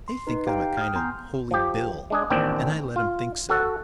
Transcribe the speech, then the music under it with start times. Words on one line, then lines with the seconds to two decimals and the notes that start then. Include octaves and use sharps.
They think I'm a kind of Holy Bill, and I let them think so.
0.08 C6
0.27 D#4 B4
0.46 G4 F5 G5 A#5
0.61 G5
0.77 D#6 F6
0.95 B3 G#5 A#5 C6 G6
1.51 F3 G4
2.10 G#3 D4 G#4
2.30 A1 D#2 C4 D4 G5
2.96 F4
3.49 F#4 A4 F#5